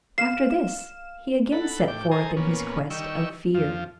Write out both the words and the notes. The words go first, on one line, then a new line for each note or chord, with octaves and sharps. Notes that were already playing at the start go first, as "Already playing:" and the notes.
After this, he again set forth in his quest of fear.
F5 C7 E7
A4 F#5 B5
A2 G5 D6
A4 C5 G#5 A#5 D#6
A#2 B3 C#4
D#3 G3 C#6 E6
F2 F3